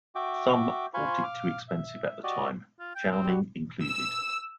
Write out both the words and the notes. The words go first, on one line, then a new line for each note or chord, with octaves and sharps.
Some thought it too expensive at the time, Chowning included.
F#4 E5 G5 D6
F4 C5 F5 G#5 B5 C#6
F5 D6 F6
E5
F#4 G4 D5 D#5
F4
G5
C4
G3 F#4
E6